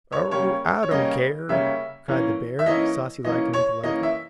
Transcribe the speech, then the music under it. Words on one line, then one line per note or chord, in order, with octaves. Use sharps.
"Oh, I don't care!" cried the bear, saucy like and impolitely.
C#5
C#3 G3 A#3 C#4 C#5
C#5
C#3 G3 A#3 C#4 D#5
C#3 G3 A#3 C#4 E5
E3 A#3 C#4
E5
E3 A#3 C#4 D#5
E3 A#3 C#4 D#5
C#5
E3 A#3 C#4 D#5
E5